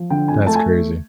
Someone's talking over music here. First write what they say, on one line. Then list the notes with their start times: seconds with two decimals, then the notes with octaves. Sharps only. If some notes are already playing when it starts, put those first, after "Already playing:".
That's crazy.
Already playing: F3
0.10 D3 G5
0.28 F2 G#5
0.47 A3 A5
0.56 G#5